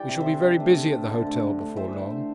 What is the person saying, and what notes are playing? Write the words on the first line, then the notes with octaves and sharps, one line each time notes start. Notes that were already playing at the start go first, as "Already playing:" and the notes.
We shall be very busy at the hotel before long.'
Already playing: E3 G3 D5 G5
C3
C5 E5
E3
D4
A3
C3
C3
D3
A3
D3
A3
E3 C5 E5
D4
A3